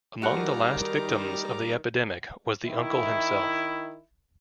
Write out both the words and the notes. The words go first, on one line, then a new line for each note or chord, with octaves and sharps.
Among the last victims of the epidemic was the uncle himself.
D#3 G3 A3 F#4 F#5 A#5 D6 F6
D#3 E4